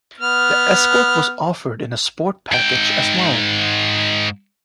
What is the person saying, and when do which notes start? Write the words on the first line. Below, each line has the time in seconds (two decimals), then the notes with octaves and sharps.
The Escort was offered in a Sport package as well.
0.20 B3 F6
2.52 G#2 G5